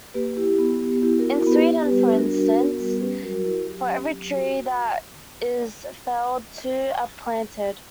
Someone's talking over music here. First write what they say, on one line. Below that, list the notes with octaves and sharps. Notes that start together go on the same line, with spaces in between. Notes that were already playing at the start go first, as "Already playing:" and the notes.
In Sweden for instance for every tree that is felled two are planted.
A#3 G4 B4
E4 G4
B3
B3
E4 G4
F#4 A#4
E4
F#4 A#4
B3
G4 B4
B3 G4
G4 B4
G3
G4 B4
D4
F#4 A#4
F#4
B3
G3
C#4 G4 B4
F#3 F#4 A#4
E4 F#4 A#4
F#3 G4
C#4
F#3
F#4 G4